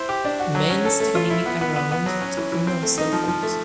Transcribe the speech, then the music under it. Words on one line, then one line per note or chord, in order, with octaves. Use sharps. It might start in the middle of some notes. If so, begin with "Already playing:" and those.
Men standing around talking on cellphones.
Already playing: E4 C5
G4
D4
F#4
F#3
C#4
A4
A3
F4
E4
B3
B3
B3
B3
F#3
C#4
E3
E3
C4
A3
D#4
F3
F3
A3